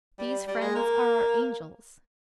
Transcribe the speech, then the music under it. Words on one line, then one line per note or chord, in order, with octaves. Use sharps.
These friends are our angels.
G3
G3
G#3
A#3